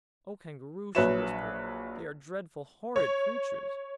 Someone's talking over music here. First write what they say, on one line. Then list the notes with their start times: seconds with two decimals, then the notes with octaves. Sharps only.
"Oh, Kangaroo!" she whispered, "they are dreadful, horrid creatures."
0.95 A#1 F#3 B4 C#5 E5 E7
2.96 C#5